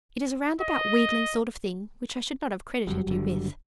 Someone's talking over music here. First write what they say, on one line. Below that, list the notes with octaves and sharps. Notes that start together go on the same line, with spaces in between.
It is a roundabout wheedling sort of thing which I should not have credited you with.
D#5
F#1 F2 F#3 G3
F#1 D3